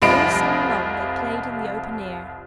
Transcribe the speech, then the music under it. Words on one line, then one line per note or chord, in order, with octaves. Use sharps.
All summer long they played in the open air.
F1 C2 F3 D#5 B5 D7